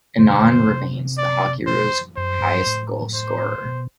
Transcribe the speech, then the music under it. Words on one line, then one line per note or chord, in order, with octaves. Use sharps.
Annan remains the Hockeyroos highest goal scorer.
B2 D3 C5
C3
D5
B2 C5
F#2 C5
G2
A2
C5
B2